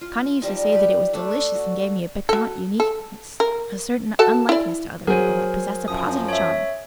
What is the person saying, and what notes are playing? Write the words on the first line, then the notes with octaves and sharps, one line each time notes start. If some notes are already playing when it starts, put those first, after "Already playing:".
Connie used to say that it was delicious and gave me a piquant uniqueness--a certain unlikeness to other people that possessed a positive charm.
F4
F3 G3 D#4
G4 B4
A3 D4
F#4
F#3 A4
A4
A#4
F#4 A4 A5
E4 D5
F#3 G#4 A#4 C5 D#7
F#2 F3 D#6
C#5 E5